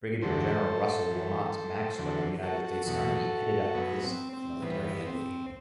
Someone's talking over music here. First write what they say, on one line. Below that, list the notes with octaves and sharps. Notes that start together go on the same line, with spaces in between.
Brigadier General Russell Lamont Maxwell, United States Army, headed up this military entity.
E2 D3 F#3 A4 C5
F#2 E3
E2 D3 F#3 A4 C5
F#4 A4
F#4 A4
E2 B2 F#3 F#4 A4
F#2 F#3 B3
C4
C4
G2 E3 B3
C4